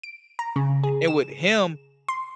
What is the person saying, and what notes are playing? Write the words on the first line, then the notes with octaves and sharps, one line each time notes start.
And with him,
D7
A#5
C#3
G#4
E7
C6